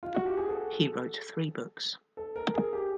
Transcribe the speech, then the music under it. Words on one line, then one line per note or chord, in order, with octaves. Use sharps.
He wrote three books.
F4
F#4
G4
G#4
A4
A4
A#4
G#4
G4